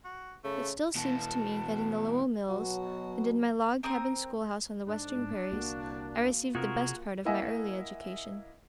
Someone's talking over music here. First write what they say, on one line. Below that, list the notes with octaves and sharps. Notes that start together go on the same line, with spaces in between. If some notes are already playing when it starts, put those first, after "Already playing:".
It still seems to me that in the Lowell mills, and in my log-cabin schoolhouse on the Western prairies, I received the best part of my early education.
F#4
C#3 A3
B2 E3 A5
B2 F#3 F#4
C4 A#4 D#6
G#2 D4
C2 A#3 F#4
C3 F4 F#4 G#4 A#4
A#3 E4 D#5 E5 F#5 G#5